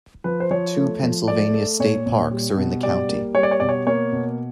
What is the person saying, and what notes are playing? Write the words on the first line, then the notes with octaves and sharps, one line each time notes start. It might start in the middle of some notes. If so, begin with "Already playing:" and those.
Two Pennsylvania state parks are in the county.
F3 B4
C5
F3 C#5
A3
F3
A3 D5
A3
A#2 C#5
A#2
G3
B2
G3 D5
A#3
G3 C#5
D5
C#5
B2 D5
C#5
A#3 C#5
B2